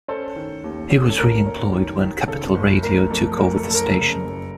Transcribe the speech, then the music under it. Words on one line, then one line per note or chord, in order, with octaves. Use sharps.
He was reemployed when Capital Radio took over the station.
C#4 A4 C5
D#3
D#2
C#4
A4
D#2 A#4
C#4
D#3
D#3
C#3 A4
F#1
A3 A#4
F2 A4
A3 A#4
A4
F#1
A4
A#4
C#3 A4
F#1